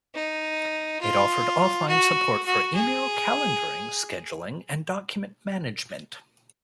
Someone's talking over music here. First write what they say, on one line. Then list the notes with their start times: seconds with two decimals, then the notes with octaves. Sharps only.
It offered offline support for email, calendaring, scheduling, and document management.
0.14 D#4
1.01 F4
1.88 F#4
2.46 F#4
2.75 G#4